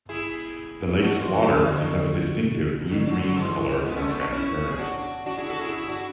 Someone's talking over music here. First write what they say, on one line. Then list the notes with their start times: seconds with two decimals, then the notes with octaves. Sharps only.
The lake's water is of a distinctive blue-green colour and transparent.
0.09 E4 G#4
1.03 D4 F#4
1.19 E3 G#3
1.34 D3 F#3
1.50 C#3 E3
1.65 D3
1.76 E3
1.81 D3
2.91 D3
3.06 D3 F#3
3.22 D3 F#3
3.38 E3 G#3
3.85 G#3 B3
3.97 A3 C#4
4.09 B3 D4
4.32 C#4 E4
4.71 G#4
4.79 D4 F#4
5.26 D4 F#4
5.38 E4 G#4
5.49 F#4 A4
5.61 E4 G#4
5.73 E4 G#4
5.88 D4 F#4